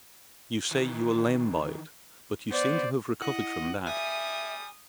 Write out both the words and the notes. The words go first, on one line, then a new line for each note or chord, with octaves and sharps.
You say you were lamed by it--but you seem to have recovered from that.
D#3 E3
B3 C5 D5
E4 D#5 F#5
G3 E5 G#5 D#6